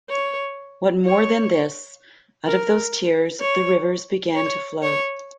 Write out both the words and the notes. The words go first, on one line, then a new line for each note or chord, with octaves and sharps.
What more than this, out of those tears, the rivers began to flow.
C#5
C#5
A#4
C#5
C#5
C#5